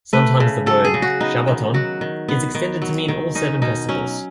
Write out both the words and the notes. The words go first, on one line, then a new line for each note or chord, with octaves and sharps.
Sometimes the word "shabbaton" is extended to mean all seven festivals.
A3 B4
C#3
F#3 A4
G#4
C#3
F#4
B3 D#4
D#3
F#3 F#4
D#3
B3
D#3
F#3
D#3
C#4 D#4
B2 D#4
F#3 C#4